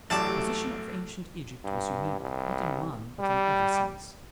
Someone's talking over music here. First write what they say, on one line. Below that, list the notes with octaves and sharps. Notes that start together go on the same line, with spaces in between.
The position of Ancient Egypt was unique, not in one, but in every sense.
A1 F#2 A3 G4 D5 A5 D6
G2
C2
G3